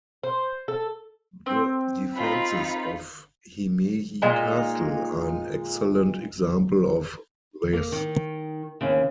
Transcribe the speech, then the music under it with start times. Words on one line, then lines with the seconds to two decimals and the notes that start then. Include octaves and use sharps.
The defenses of Himeji castle are an excellent example of this.
0.24 C5
0.68 A4
1.46 C4
2.15 D#4 F4 B5
4.22 A#2 G#3 D#4
7.73 A#3
7.92 D#3
8.81 D#2 C#3